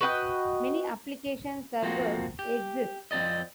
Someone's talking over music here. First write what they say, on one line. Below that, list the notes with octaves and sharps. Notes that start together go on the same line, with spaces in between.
Many application servers exist.
F#4 B4 D#5 G5
F3 A#3 C4 F#4
G4
F2 C4 A#4 D5 D#5